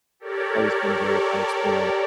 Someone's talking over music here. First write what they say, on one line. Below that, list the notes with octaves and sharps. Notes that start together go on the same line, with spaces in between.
it's always been a very fun experience,
G4 A4 A#4 C#5 D5